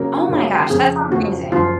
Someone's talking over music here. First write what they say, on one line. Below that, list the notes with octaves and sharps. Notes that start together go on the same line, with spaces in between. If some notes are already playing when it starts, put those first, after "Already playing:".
Oh my gosh, that sounds amazing.
Already playing: C#3 F#3 A#3 C#4 A#4
C#3 F#3 A#3 C#4
F2 C#3 F3 G#4
F2 C#3 F3 F#4
F#1 F#2 F3 F4